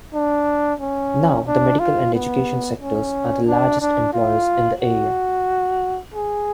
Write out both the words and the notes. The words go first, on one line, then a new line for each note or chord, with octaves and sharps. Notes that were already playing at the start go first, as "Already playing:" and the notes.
Now the medical and education sectors are the largest employers in the area.
D4
C#4
D4
F4
B3
C#4
D4
D4
F4
F#4
G#4